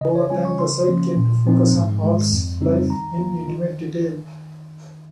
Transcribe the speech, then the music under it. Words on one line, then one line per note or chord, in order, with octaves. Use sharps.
Over time, the site came to focus on Hall's life in intimate detail.
C#3 D#5
C#5
G3 C#4 F4 G#5
C#6
C#3 C6
F3 A#3 C#4
A#2
F3 C4 D#4
G#2
D#3 G#3
F2
C#3 G3 C4 D#4
D#3 A#5
A#3 F4
D#3